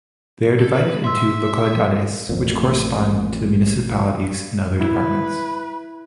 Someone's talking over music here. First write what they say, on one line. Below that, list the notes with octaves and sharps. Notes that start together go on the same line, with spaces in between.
They are divided into "localidades", which correspond to the municipalities in other departments.
A4
B4
E5 C6 E6
E5
A1 F2 A#2
E4 B4